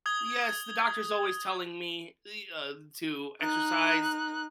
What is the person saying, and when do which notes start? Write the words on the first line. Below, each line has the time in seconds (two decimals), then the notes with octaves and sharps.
Yes, the doctor's always telling me the uh, to exercise,
0.06 D#6 G#6 G7
3.41 D#4 F#6